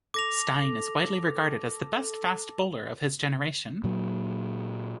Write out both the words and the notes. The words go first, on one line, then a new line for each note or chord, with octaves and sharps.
Steyn is widely regarded as the best fast bowler of his generation.
A4 D6 A#6 F7
A#2 F#3